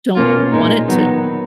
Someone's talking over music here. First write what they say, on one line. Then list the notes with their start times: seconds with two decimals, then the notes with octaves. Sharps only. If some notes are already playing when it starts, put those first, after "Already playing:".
don't want it to.
0.15 B2 A#3 C#4 F4
0.52 A#2 G#3 D#4
0.88 D#3 F#3 B3 D#4